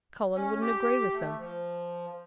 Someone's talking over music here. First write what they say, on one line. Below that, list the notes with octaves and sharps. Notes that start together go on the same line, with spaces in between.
'Colin wouldn't agree with them.
C#4
G4
A3
F3